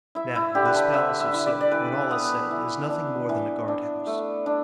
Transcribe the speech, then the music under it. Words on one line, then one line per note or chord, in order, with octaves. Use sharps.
Now this palace of silk, when all is said, is nothing more than a guard- house.
E4 E5
E4
D3 G4
B4
A4
D3 E5
E5
E4
D5
D5
E3 B4
B3
E3
D4
E3
D4
A3
D4